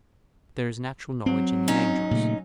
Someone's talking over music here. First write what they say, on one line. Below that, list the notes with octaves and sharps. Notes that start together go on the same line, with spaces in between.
But there is natural knowledge in the angels.
F#3 C4
C#4 D#4
A#2 C#3 A3